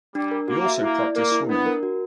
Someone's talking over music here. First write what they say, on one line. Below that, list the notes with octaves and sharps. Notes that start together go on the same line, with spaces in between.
He also practiced swimming.
G3 D4
A#4
A#3 F#4
E5
A#3 E4
D5
A#3 A#4
E4
B3 D4
A#4
F#4